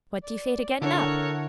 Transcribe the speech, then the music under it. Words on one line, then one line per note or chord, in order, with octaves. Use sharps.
"What do you say to gettin' up?"
D5
D3 D4 E4 A4 A#4 C#5 F#5